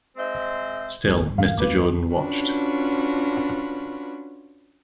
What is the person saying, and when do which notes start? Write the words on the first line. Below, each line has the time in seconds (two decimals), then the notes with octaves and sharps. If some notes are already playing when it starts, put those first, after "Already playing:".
Still Mr. Jordan watched.
0.17 G#3 C4 C5 D#5 E5
1.07 G#1 C#2 A3
1.38 D1 G#2 B2 E3 F5
1.58 D#2 A3 C4 B4 D6
2.14 C#4 D4 F4 F#4 B4